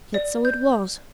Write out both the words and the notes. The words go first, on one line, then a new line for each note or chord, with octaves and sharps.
Yet so it was.
D5
G6